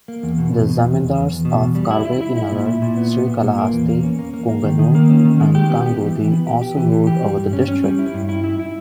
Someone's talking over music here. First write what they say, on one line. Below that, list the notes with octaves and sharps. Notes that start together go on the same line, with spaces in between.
The Zamindars of Karvetinagar, Srikalahasthi, Punganur and Kangundhi also ruled over this district.
A#3
E2
B2
E2
B2
E2
E2
E2
E2
B2
E2
G3
E4
E4
E4
E4
A#2
E4
A#2
B3
B3
A#2
A#2
A#3
E2
A#3
C#4
A#3
A#3
A#3
D#3
D#3
A#3
C#4
D#3
G#3
G4
B3
G4
E3
E3
B3
G4
G4
E3
E3
G4
G3
G2
C#4
C#4
G3
E4
G2
E4
E4
E4